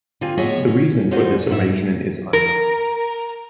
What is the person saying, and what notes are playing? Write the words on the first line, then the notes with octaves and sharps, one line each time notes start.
The reason for this arrangement is unknown.
D3 C4 F4 G#5
A2 B3 G#4 C#5 D#5 E5
C#4
G#3 C#4 D#4 F#4 C5 D5
G#2 B3 D#4 G#4 E5
A#4